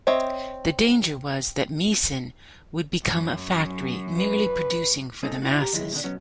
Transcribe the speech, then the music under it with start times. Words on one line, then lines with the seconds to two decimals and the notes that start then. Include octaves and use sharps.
The danger was that Meissen would become a factory merely producing for the masses.
0.07 C4 C#5 D#5 E5
3.04 F#2
4.19 B4
5.23 G#3 A#3 C4 C#4 D#4 A4
5.42 D#4 E4 F#4
5.61 G4 A#5
5.73 D#3 F#3 G#3 E4
5.92 B2 D3 D#3 D4
6.04 B2 F#3 B3 C#4